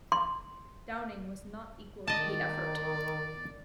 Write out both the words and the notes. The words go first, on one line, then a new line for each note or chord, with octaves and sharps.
Downing was not equal to the effort.
C6
D#3 D5 D#5 A5